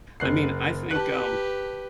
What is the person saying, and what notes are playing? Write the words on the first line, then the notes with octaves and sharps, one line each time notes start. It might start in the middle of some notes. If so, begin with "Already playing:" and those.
I mean, I think, um
F#1 F#6 C7
G4 B4 A5 F#6